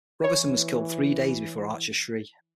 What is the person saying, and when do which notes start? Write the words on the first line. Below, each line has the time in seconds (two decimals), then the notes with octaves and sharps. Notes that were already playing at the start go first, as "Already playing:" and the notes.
Robinson was killed three days before Archer-Shee.
0.24 E3 C#5